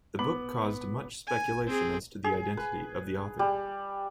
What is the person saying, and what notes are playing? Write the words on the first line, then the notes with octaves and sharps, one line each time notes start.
The book caused much speculation as to the identity of the author.
B3 B5 D6 F#7
G#5
C4 G#4
G#4
B4
G3